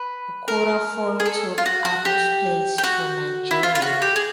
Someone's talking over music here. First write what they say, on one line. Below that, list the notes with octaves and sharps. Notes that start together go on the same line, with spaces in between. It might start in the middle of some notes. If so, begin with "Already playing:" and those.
Okorafor took Amu's place for Nigeria.
Already playing: B4
A#4
G#4
A4
F4
F#4
F#4
G4
G4
F#4
E4
F4
F4
F#4
G4
G#4